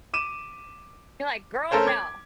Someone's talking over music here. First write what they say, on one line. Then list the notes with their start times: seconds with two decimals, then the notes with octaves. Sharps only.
You're, like, "Girl, no."
0.14 D6 D#7 E7
1.71 A3 C#4 A4 A#4 C5 C#5
1.87 D6 G#6